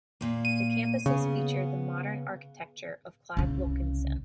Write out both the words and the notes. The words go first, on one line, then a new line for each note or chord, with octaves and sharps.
The campuses feature the modern architecture of Clive Wilkinson.
A#2 A#3
D#7
C#3 B3
C2 C#3